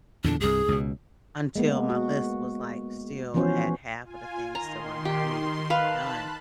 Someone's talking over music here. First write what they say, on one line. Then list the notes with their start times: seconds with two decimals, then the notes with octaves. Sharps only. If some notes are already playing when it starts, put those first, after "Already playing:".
until my list was, like still had half of the things still on there I needed to get done.
0.24 E2 A#2 D3 D4
0.40 C2 G2 G#4
0.68 C#2 B2
1.56 G#3 A#3 B3
1.90 F#4
3.34 E3 F3 B3 C#4 F#4 C5
4.03 F4 G#5
4.55 D#3 A#5 C6
5.05 G4
5.70 B4 F5 A5 B5 F#6